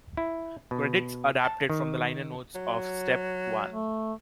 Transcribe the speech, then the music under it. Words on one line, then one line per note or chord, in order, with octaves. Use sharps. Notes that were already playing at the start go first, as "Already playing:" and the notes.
Credits adapted from the liner notes of "Step One".
E4
B2
A5
D#3
F#3
A3